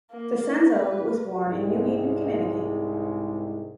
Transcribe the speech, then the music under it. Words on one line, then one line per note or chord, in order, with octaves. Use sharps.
DiCenzo was born in New Haven, Connecticut.
A#3
B4
C2 G#2 G#3